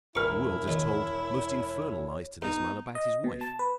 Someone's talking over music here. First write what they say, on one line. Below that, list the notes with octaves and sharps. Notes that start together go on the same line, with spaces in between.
The world has told most infernal lies to this man about his wife.
E1 E4 A#4 B4 C#6 F6
D#2 B2 C#5
G2 B3 D#4
D#5
B2
A5
B4